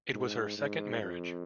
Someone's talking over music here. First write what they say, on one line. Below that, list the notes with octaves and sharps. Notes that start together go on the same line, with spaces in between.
It was her second marriage.
G#2
G#2
F2